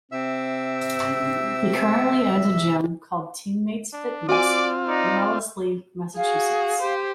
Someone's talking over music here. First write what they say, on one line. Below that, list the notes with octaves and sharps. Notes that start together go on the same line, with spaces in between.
He currently owns a gym called Teammates Fitness in Wellesley, Massachusetts.
C3 C4 E5 E6
D4
C4 F4 F#4 D5 G#5 D6
D#4 D5
F#4 G#4 F5
G4 C5